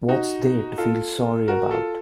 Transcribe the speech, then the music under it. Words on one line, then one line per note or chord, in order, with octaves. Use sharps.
What's there to feel sorry about?
D#4 F#4
F4 A4
F#4 A#4
F4 A4